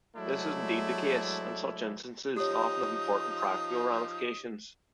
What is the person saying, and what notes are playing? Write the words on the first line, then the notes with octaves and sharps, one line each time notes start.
This is indeed the case, and such instances often have important practical ramifications.
F#3 G#3 A3 D4 E4
F3 D#4 G4 C#5 D#6